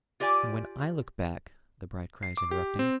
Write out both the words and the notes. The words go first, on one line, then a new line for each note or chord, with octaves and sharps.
'And when I look back--' the bride cries, interrupting.
F4 G4 D5 G#5
C7
D6
G4
C4